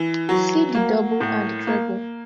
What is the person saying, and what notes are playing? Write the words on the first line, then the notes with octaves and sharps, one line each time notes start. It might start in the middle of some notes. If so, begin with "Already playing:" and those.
"See The Double and The Treble".
Already playing: E3
F#3
A#3
A2
A#3